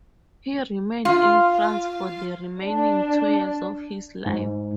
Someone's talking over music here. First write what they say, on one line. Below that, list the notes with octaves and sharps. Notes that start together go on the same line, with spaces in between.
He remained in France for the remaining two years of his life.
F4
D4
G#2